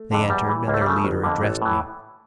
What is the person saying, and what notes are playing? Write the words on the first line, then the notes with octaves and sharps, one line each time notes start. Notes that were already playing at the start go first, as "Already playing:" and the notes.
They entered, and their leader addressed me.
Already playing: A3
F2 D3
E2 G3
E3
C#2 A#3
A3
G3
C#3 F3 A3
G1
F2 D3 A#3
A1 A4
A2 E3